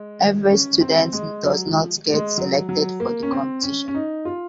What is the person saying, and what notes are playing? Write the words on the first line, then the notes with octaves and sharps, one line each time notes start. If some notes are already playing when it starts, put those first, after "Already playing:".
Every students does not get selected for the competition.
Already playing: G#3
C#4
C4
G#3
F#3
F3
G#3
F#3
F#3
A#3
C#4
C4
C#4
C#4
D#4
F4